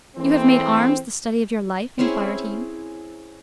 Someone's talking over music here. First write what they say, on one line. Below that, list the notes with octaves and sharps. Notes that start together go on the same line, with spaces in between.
"You have made arms the study of your life?" inquired he.
E3 G#3 A3 C4
C4 C#4 E4 G#4